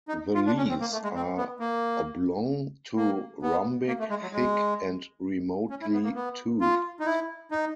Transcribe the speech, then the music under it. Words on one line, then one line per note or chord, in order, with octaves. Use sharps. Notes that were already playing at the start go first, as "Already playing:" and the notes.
The leaves are oblong to rhombic, thick, and remotely toothed.
D#4
F4
D4
C#4
C4
A#3
A3
G#3
C4
B3
A#3
A#3
B3
A#3
A3
G#3
F#3
G#3
C#4
E4
B3
A#3
B3
F4
D#4
E4
D#4